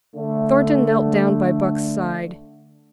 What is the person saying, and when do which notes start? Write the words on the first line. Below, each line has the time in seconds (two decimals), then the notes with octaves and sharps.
Thornton knelt down by Buck's side.
0.15 D3 A3